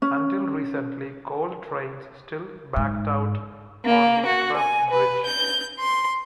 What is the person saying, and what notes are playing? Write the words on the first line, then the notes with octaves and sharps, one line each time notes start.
Until recently coal trains still backed out on the truss bridge.
C#4
G#2
A#3
F#4
G#5
B4
G6
C6